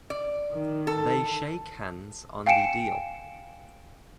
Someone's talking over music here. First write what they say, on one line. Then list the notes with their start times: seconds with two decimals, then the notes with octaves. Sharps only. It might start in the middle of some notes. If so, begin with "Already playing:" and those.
They shake hands on the deal.
0.10 D5
0.52 D#3
0.87 A4
2.46 F5 G5 G#5 C#7 D7 E7